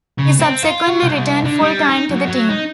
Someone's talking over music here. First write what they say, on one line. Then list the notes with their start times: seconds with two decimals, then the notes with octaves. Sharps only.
He subsequently returned full-time to the team.
0.19 C#3
0.40 C4
0.63 F4
0.88 F#4
1.02 C2
1.44 D3
1.61 G3
1.89 D#4
2.11 F#2
2.28 F#3
2.49 D#4